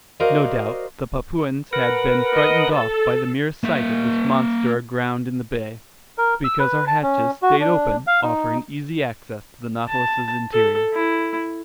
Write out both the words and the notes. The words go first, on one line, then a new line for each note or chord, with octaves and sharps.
No doubt the Papuans had been frightened off by the mere sight of this monster aground in the bay, because our hatches stayed open, offering easy access to the Nautilus's interior.
F#4 A#4 C5 D5 D#5 F5
A#4 B4 F#5
D#5
A4
A#3 E5
A#4
E6
B4
A5
C#4
F#4
D4
F5
D#4
A5
A4
E4